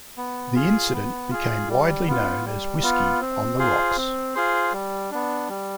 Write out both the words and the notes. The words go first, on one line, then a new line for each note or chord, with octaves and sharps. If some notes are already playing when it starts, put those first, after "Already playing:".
The incident became widely known as Whiskey on the Rocks.
B3
F4 G#4
B3
F4 G#4
G3
B3 F4
G3
B3 F4
C4
F4 G#4 C5
C4
F4 G#4 C5
G3
B3 D4
G3